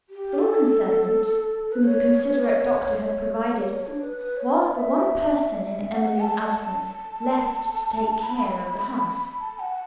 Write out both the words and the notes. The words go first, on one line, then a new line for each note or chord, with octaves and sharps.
The woman-servant, whom the considerate doctor had provided, was the one person in Emily's absence left to take care of the house.
G4
A4
B4
C#5
C#5
C#5
D4
B4
B4
C#5
D5
E5
F#5
A5
A5
B5
A5
F#5